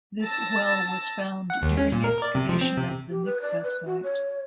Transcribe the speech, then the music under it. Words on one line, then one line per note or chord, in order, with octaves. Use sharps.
This well was found during excavation of the mikvah site.
A5 E6 A6 A#6
F#5
D#2
C#4
A#2
A#4
D5
C3
F3
C4
C3
G4
B4
D5
B4
F#4
C#5